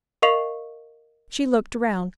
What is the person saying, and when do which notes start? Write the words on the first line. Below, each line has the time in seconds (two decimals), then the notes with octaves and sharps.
She looked around.
0.22 A#4 D#5 F5 C#6 C7 F7